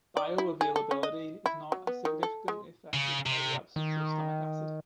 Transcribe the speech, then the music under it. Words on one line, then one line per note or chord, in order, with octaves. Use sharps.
Bioavailability is not significantly affected by the absence of stomach acid.
D5
E4
G#4
A4
C#4
D#5
E4
F#3
B3
D#3
A4
G#3
C#3
C3
D#3